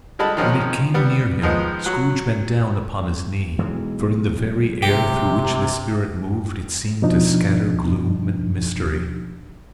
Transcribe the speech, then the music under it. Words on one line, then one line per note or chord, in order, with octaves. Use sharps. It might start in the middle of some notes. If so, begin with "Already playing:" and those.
When it came near him, Scrooge bent down upon his knee; for in the very air through which this Spirit moved it seemed to scatter gloom and mystery.
D3 G3 G#3 A5 B5
D#3 F3 G#3 C#4
G3 B3
D#3 F3 G#3 B3
F#3 F#6
B1 E3 G#3
C3 G4
B2 F3 D4 D#4